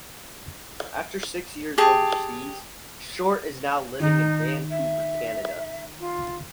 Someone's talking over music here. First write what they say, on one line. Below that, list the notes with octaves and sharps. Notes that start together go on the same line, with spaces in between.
After six years overseas, Short is now living in Vancouver, Canada.
G4 G#4 A5
D#3 D#4
E5
F4